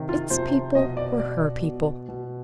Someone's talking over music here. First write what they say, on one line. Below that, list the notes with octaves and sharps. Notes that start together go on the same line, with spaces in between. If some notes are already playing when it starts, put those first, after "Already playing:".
Its people were her people.
Already playing: C3 D#3
F4
C3 F3 C5
B2 D#5
D5
B2 D5
B2
B2